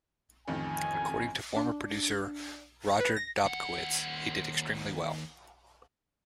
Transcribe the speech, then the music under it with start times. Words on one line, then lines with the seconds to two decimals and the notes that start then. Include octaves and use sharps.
According to former producer Roger Dobkowitz, he did extremely well.
0.48 A1 F2 D#3 G#5
1.56 D4
3.00 B4
3.16 A#6
3.45 D#2 F#5